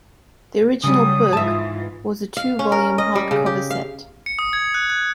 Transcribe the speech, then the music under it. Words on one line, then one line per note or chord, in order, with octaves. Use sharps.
The original book was a two-volume hardcover set.
C#3 F#3 G3 D#6
G#2 E3 F4 E5 A5
F5
C#4
A#4
D#5
G3
C#3
G4
F5
C#7
D#6
G#6
F#6
F#6